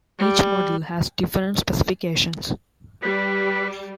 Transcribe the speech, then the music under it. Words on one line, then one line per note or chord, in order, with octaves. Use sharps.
Each model has different specifications.
G3
G3 B4